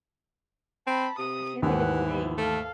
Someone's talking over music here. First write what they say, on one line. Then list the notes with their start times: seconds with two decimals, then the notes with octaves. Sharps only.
I can't think of his name.
0.87 C4 A5 B5
1.18 C3 D#6
1.62 D#2 G#2 E3 B4 F#5
2.08 B3 E4
2.38 A3 A4 F5